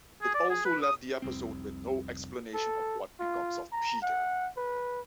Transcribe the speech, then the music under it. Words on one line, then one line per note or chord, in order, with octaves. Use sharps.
It also left the episode with no explanation of what becomes of Peter.
G#4
D5
G#4
B4
D#6
F1 C2 C4
A4
F4
A#5
F#5
B4